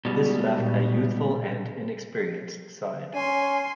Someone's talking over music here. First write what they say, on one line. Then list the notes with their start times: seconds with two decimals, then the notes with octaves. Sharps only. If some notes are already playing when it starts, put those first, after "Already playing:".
This left a youthful and inexperienced side.
0.05 B2 G3 G#3
0.58 A#2
3.15 C#4 G#5 C6